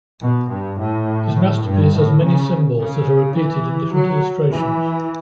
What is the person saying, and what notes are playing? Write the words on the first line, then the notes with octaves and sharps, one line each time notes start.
His masterpiece has many symbols that are repeated in different illustrations.
B2
G2
A2
G2
A2
C#3
C#3
E3
F#3
E3